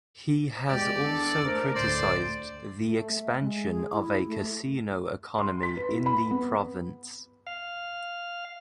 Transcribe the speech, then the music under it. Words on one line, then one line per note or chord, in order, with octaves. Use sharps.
He has also criticized the expansion of a casino economy in the province.
E2 G#3 G4 D5
D4 A4
A3 A#4 C5
D2 A2 D3 C5 D5
A3
E5
G#3
G#4
E4
A3
C6
B6
B4
E4
B5
B3
F5